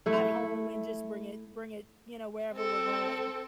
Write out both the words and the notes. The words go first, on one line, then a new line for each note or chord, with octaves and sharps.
at home, and just bring it bring it, you know, wherever we're going.
A3 E4
C4 A4